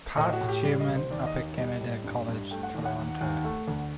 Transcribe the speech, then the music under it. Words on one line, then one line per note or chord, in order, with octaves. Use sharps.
Past Chairman Upper Canada College, Toronto.
A2 D#5
F#4
A2
G4
G3 D5
D#5
C2
C5
D#2 D5
D#5
D#2
G3 D#5
A2
G2
G2
A3 G5
F#5
D#2
F#5
D#2
D#2
A3
D2